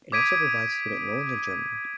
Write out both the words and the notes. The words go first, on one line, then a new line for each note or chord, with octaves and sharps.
It also provides student loans in Germany.
D6 D#6 G#6 B6 D7 D#7